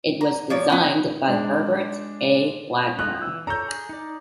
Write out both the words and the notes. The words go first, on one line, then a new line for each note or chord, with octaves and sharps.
It was designed by Herbert A. Wagner.
A#5
F3 C#5 D5
B3 C#4
G#3 D4
A3 F4 D#5 F#6
E3 E6
D4 A4 C#5 A#5 G6
G#4
D#4 D5